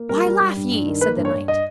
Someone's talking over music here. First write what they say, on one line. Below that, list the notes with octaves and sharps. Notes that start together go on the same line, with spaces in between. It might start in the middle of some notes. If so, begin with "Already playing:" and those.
Why laugh ye? said the knight.
Already playing: A#3
G3 A#4
G3
G3
G2
G2
D#3
A#3 B4
G2
C#5
G2
D#5